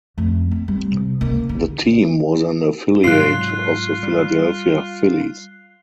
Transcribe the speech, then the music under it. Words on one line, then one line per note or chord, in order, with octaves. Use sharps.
The team was an affiliate of the Philadelphia Phillies.
F2 A3
C4
G3 C4
C3
C#2 A#3
D3
G#2 C3 F#3 F4 F#6 C7
G3